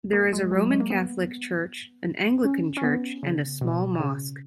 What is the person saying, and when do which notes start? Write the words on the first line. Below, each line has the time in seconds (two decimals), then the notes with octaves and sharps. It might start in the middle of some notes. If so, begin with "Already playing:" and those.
There is a Roman Catholic church, an Anglican church, and a small mosque.
0.13 A#3
0.33 G#3
0.51 F#3
0.70 G#3
0.80 A#3
0.90 B3
2.45 C#4
2.77 C#4
2.84 B3
3.23 C#3
3.61 B2
4.00 C#3